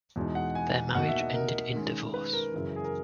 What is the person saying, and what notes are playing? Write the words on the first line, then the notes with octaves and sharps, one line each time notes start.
Their marriage ended in divorce.
E2 B2 G#3 D#4
F#5
G#5
B2 A#3 D#4 F#5
E5
D#5
A#4
D#3 G#3 C#4
B4
A#4
F#2 C#3 E3
G#4
A#4